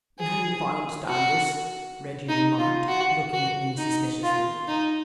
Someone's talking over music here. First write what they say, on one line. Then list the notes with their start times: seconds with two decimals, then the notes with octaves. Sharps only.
"I'm hanged if I understand this!" Reggie remarked, looking at me suspiciously.
0.19 G#4
1.08 F#4
2.28 D#4
2.58 F4
2.88 F#4
3.33 F#4
3.78 D#4
4.23 F4
4.68 D#4